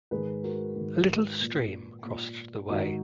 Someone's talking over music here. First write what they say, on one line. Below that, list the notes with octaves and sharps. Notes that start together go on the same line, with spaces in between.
A little stream crossed the way.
G#2 D#3 G#4 B4
F#4 A#4
G#2 D#3
A#2
A#2
G#2 D#3 D#4 F#4